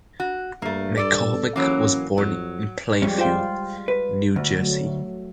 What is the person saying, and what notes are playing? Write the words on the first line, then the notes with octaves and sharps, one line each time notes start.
McCormack was born in Plainfield, New Jersey.
F#4
G2 A3 A#3
A4 D5
E3 F#3 A#3 C#4
F2 F#3
F2 G3 G#3 C#4 G4
F4 C5 G5
B4
D2
F#3 A3